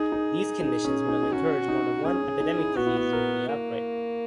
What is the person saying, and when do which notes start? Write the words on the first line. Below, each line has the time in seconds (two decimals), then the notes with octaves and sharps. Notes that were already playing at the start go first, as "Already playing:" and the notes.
These conditions would have encouraged more than one epidemic disease during the outbreak.
Already playing: D#4 G#4
0.12 D#4
0.61 D#4
0.85 C#4
1.09 D#4
1.23 D#4
1.32 C#4 F#4
1.68 D#4
2.04 C#4 G#4
2.22 C#4
2.40 D#4
2.58 E4
2.76 B3 F#4
2.87 E4
2.97 F#4
3.13 A#4
3.48 A#3